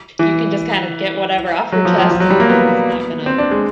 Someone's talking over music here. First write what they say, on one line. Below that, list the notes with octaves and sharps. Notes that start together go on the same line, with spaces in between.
you can just kind of get whatever off your chest and and it's not gonna
E3
F#3
F3
F3
F3
F#3
G3
A#3
B3
C4
D4
G#3